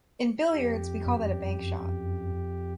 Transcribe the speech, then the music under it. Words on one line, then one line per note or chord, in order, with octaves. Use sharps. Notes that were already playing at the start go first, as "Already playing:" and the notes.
In billiards, we call that a bank shot.
F2 G4
F#2